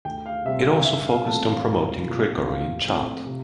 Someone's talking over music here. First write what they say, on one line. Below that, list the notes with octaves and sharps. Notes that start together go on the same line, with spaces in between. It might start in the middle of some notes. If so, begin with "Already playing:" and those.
It also focused on promoting Gregorian Chant.
D2 G5
F5
C3 G3 C4 E5
F5
G2 E5
F5
E3 A3 C4 A5
F5
C2
C3 F3 A#3
A2 F5
F3 A3 C4
C3